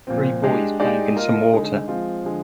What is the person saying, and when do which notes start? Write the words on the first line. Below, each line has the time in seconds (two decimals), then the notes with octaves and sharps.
Three boys playing in some water.
0.07 A#2 F3 C4
0.44 G#3 D4 G4
0.80 G#3 D#4 G4 D5
1.16 A#3 F4 A#4 D#5
1.52 D3 G#3 D#4
1.88 F3 G#3 C4 F4
2.24 D3 F3 G#3